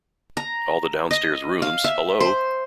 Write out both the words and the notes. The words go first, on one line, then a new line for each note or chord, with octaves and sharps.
All the downstairs rooms — Hullo!
A#5
D#5
F5
E5
C5